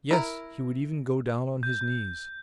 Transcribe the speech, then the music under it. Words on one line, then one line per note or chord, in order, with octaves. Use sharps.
"Yes, he would even go down on his knees."
E4 A#4
G6